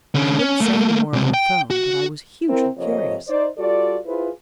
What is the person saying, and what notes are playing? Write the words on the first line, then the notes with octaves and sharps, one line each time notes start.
She wouldn't say any more over the phone, but I was hugely curious.
D3 C#4
C#4
A3 A#3
C#2 C3
G5
F#4
C4 E4 A#4
F2 C3 F3 A#3 C#5 D#5
D#4 C5 D5
G3 F4 F#4 A4 D5
E4 F4 G#4 B4 C5